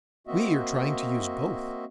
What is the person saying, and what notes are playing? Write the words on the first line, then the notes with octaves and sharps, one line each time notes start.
We are trying to use both.
A#3 C4 F#4 D#5 E5